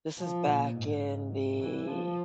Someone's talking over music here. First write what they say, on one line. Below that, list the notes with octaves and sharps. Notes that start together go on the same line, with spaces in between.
this is back in the
F3
A#2
G#2
E3
F3